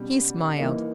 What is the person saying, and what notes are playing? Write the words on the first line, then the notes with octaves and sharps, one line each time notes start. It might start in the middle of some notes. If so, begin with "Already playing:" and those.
He smiled.
Already playing: B2 G3 C#4
E3 A#3 D#4